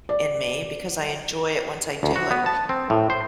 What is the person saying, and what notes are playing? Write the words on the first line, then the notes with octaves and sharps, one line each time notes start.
in me, because I enjoy it once I do it.
D5
D2
F#4
B3
A5
C4
A2
C5